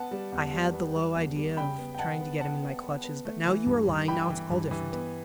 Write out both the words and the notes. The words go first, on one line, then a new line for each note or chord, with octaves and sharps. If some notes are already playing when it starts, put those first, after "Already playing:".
I had the low idea of trying to get him in my clutches, but now you are lying, now it's all different.
Already playing: B3 F#5 A5
G3
E2
G3
B3
G3
E2
G3
C#3 G5 B5
B3
G5
B3 F#5 A5
B3
B3 F#5 A5
B3
B3
B3
A3
E3
G2
G2
E3 G5 B5
E3
G2
E3
B3